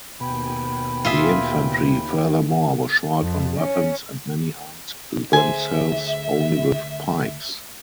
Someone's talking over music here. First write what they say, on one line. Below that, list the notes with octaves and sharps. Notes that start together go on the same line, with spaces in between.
The infantry, furthermore, was short on weapons and many armed themselves only with pikes.
D#2 B2 G5 G#5 B5
F4 G#4 E5
F2
C#4
D2 G#4 C5 E5 G#5